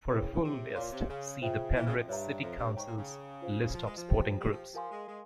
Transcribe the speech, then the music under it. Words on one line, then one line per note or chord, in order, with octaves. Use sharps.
For a full list see the Penrith City Council's list of sporting groups.
C3 E4 G#4 C#5 G5
C#3
C#3
C3
G#2
A#2 C#5 F5 C6
C3
C#3
C#3 F4 C5 E5 G5
E3
C#3
F2
G2 C#5 E5 A#5
F2
G2
G#2 C#5 G5 A#5 C#6
A#2
C#3
F4 C5 F5
F3
G#3
F3
G4 C5 G5
G3
F3
F3 A#4 F5 G#5 C6
G#3
G#3